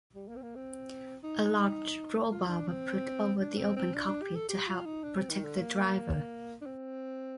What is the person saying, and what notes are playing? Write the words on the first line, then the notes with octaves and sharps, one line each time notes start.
A large rollbar was put over the open cockpit to help protect the driver.
G3
A#3
C4
A#3
C4
D#4
F4
D4
C4
D4
C4
C4
D4
D4
G4
A4
G4
F4
D#4
D4
C4
D#3
D3
A#3
D4
C4